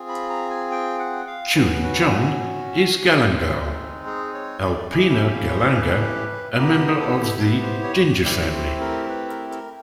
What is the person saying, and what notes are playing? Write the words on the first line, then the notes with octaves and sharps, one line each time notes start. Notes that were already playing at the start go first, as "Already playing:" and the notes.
"Chewing John" is galangal, "Alpinia galanga" - a member of the ginger family.
Already playing: C4 F4 G#4
B5
A#5
G#5
G5
F#5
F5
C#4 F#4 B4
B4
G#3 C4 D#4
G#4
C#5
D5
A3 C#4 E4 G4 D#5
E5
F5
C#5
C5
B4
B3 E4 G4 A#4
A4
B4
C5
C#5
A3 C4 E4 G4 D5
C5
A#4
B4
A#4
A#4